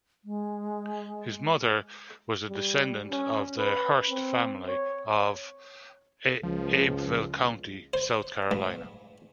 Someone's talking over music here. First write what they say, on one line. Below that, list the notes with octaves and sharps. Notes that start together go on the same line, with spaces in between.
His mother was a descendant of the Hearst family of Abbeville County, South Carolina.
G#3
G3
C#4
B4
C4
C#5
C#2 F3
C5
G2